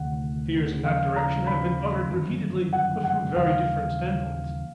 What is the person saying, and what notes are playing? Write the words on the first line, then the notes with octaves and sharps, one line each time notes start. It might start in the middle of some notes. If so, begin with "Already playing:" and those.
Fears in that direction have been uttered repeatedly, but from very different standpoints.
Already playing: D2 C3 D#3 F#5
D#2 C#3 F3 G#3 F5
A#5
B5
G1 F#2 D#3 F#3
F#5
F#5
D#2 C#3 E3 G3 F5